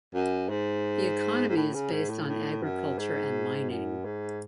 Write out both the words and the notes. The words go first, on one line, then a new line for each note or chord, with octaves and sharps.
The economy is based on agriculture and mining.
F#2
G#2
G#2
A2
C#3
G#2
A2
A2
F#2
G#2
F#2
G#2